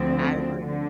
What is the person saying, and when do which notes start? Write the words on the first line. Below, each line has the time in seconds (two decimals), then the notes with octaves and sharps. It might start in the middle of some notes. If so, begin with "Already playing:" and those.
I agree.
Already playing: D2 D3 F3 C4
0.58 D3